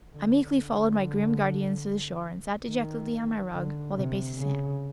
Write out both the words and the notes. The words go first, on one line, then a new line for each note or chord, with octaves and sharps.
I meekly followed my grim guardians to the shore and sat dejectedly on my rug while they paced the sand.
D3
D3
D#3
D3
C3
C#3